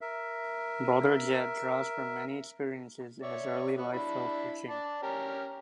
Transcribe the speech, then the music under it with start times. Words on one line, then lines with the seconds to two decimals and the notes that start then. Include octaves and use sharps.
Brother Jed draws from many experiences in his early life while preaching.
0.01 A#4 E5
3.23 C#5 D5 E5
3.78 B3 F#4
3.93 D4 E4 B5
4.69 D5 A5
5.03 C#4 G4 A#4